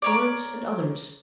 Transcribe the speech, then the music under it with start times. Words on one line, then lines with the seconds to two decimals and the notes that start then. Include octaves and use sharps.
Lawrence, and others.
0.02 A#4 C#5 D5